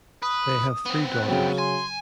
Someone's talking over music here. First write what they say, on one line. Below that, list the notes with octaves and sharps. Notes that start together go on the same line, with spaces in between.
They have three daughters.
B4 D#6
B3 C4
F#6
C#3 F#3 G5
G#5 C6